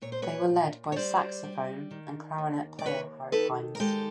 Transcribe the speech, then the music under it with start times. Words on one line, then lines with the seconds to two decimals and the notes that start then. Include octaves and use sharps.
They were led by saxophone and clarinet player Harry Hines.
0.02 A#2 C#5
0.12 C5
0.22 B4 C#5
0.49 A#2
0.92 C#5
0.96 G3 C5 D5
1.44 G3
1.91 D#3
2.38 D#2
2.79 D5
2.85 D#2 B4 C#5
3.32 D#3 A4 B4
3.75 A#4
3.80 G#3 G4 A4